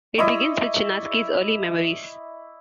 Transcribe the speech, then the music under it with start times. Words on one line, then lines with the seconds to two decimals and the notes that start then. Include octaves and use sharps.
It begins with Chinaski's early memories.
0.18 E4 D5 D#5 C#6